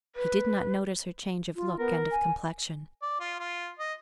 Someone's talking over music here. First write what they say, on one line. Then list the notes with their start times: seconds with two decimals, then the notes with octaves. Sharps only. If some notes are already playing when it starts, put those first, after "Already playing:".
He did not notice her change of look and of complexion.
0.16 B4
1.56 F4
1.79 B3 A#4
2.11 G#5
3.02 D5
3.20 F4
3.39 F4
3.79 D#5